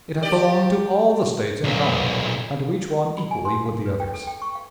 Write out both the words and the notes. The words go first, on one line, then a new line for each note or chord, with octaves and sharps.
It had belonged to all the States in common, and to each one equally with the others.
G4 D5
B1 A#2
B5
G#5
C6
F5
B4
G5
A4
G5
C#6
F5